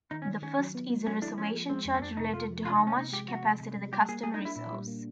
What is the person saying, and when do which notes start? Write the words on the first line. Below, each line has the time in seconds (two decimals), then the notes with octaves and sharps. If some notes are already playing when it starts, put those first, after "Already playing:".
The first is a reservation charge related to how much capacity the customer reserves.
0.11 D#3 D#4
0.22 C#4
0.27 D#3
0.42 D#3 C#4
0.58 F#3
0.75 B3
0.90 B3
1.07 F#3 C#4
1.22 D4 E4
1.38 F3 C#4
1.54 F3
1.69 G#3 C4
1.85 F2
1.95 C#4
2.02 F2 D4
2.17 C3 D#4
2.33 F2 F4
2.49 F3
2.65 C3 F4
2.70 D4
2.76 D#4
2.80 C3
2.87 C#4
2.97 C3 D#4
3.12 G#3 G4
3.28 C3 F#4
3.45 C3
3.61 C3
3.77 C3
3.92 G3 G4
4.09 A#3 G#4
4.23 G3 G#4
4.34 D#4
4.39 D4
4.45 E4
4.56 A#2 E4
4.72 G3
4.87 A#3